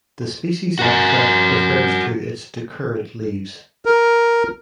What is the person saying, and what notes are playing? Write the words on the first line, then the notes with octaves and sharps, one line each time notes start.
The species epithet refers to its decurrent leaves.
F#4 A#4
A#4